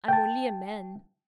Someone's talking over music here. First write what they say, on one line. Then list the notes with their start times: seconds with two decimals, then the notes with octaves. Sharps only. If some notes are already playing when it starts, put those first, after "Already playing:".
I'm only a man.'
0.08 G5 A5